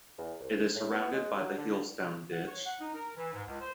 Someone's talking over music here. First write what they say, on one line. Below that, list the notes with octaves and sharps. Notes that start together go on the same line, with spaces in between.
It is surrounded by the Heelstone Ditch.
E2
C2
A2
B3
G#3
F#3
D3
F#5
C#5
F#5
D#4
A#4
E3
G#2
C#2
C5